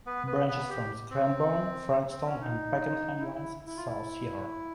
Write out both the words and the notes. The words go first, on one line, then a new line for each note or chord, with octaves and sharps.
Branches from the Cranbourne, Frankston and Pakenham lines at "South Yarra".
B3 B4
B3 B4
B3 B4
G4
C4
C4
C#4
D#4
E4
E4
E4
F4
E4